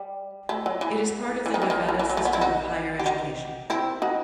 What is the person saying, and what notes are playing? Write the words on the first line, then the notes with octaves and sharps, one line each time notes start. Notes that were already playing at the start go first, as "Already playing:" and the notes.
It is part of the Nevada System of Higher Education.
Already playing: G3
A3
F#3
E3
E3
D#3
E3
D#3
E3
E3
F#3
A3
B3
C4 E4
D#4 F#4
G4
D#4 F#4
C4 E4
D#4 F#4